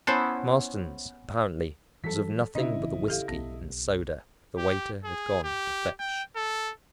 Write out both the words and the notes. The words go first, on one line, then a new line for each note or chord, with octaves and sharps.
Marsden's, apparently, was of nothing but the whiskey and soda the waiter had gone to fetch.
B3 C#4 E4 C5 F#5 A5
E3 F#3 G3 A4 B6
C#3 C4 D4 E4 D#5
A1 E3 B3
G4 A4 F5
B1 B3
G4
G#4
G4
G5
A4